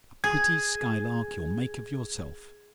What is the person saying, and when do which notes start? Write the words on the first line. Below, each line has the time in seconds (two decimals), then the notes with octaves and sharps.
A pretty skylark you'll make of yourself!
0.24 G#4 G#6